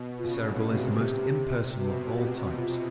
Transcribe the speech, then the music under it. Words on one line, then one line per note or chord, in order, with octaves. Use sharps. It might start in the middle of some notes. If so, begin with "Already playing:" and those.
The Cerebral is the most impersonal of all types.
Already playing: B2
C#3 F4
C3
F#4
C3 G4
B2 F#4
F4